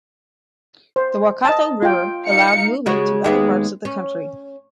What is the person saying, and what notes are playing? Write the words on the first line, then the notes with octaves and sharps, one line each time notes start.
The Waikato River allowed movement to other parts of the country.
C5
D#5 A5
F4 G5
D#4 F5 C#7
C#3 G#3 F#4
D#2 G#3 B3
C#4